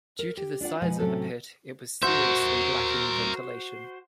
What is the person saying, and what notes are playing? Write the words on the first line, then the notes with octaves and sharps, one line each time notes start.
Due to the size of the pit, it was seriously lacking ventilation.
A#4
G4
D4 F4 D5 F#5
B2 F3 G#3 B4 F#5 G#5
A2 C3 F#3 C#4 A4
F#4 A#4 C5 E5